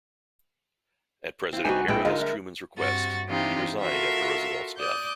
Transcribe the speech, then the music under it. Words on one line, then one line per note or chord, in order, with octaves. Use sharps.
At President Harry S. Truman's request, he resigned after Roosevelt's death.
C4 E4 F4
C2 B3 C4 D4 D#4 F4 F#4 G#5
A#1 A2 G#3 A3 C4 F4 B4 G5
D3 G3 G#3 D#4 F4 A#4 D#5 F5
E5
G2 C3 F#4 A6
C3 E3 D4 D#4 F4 G4
F4 F#4 A4 A#4 E5 F5
D5 D6 D#6 F#6 G6